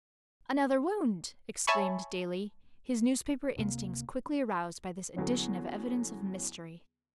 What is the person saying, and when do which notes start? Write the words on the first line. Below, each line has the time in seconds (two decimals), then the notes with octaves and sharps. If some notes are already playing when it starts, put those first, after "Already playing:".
"Another wound!" exclaimed Daley, his newspaper instincts quickly aroused by this addition of evidence of mystery.
1.67 C#5 E5 G#5 A5 B5 C#6
3.56 D1 C3 A#3
5.16 E2 D3 F#3 B3 C#4